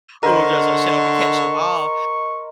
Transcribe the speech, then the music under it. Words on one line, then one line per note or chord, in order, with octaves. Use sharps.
who are just, like, "Shut up and catch the ball,"
D3 A#4 C5 D#5 C#6